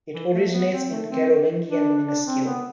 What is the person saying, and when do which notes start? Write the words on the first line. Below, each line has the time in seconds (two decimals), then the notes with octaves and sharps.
It originates in Carolingian minuscule.
0.12 E3
0.32 A3
0.51 B3
0.71 C4
0.90 A3
1.10 C4
1.68 D4
2.07 D4
2.26 C4
2.45 B3